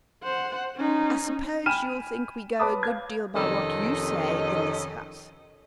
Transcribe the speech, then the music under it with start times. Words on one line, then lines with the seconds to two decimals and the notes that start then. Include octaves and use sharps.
I suppose you'll think we go a good deal by what you say in this house.
0.24 C5 F#5
0.76 C#4 D#4
1.66 G5 G#5 B5 F6 D#7 E7
2.60 B4 C#5 A5 B5 D6 D#6
2.83 F5 G#6
3.35 F2 C3 D#3 C#4 A4 D#5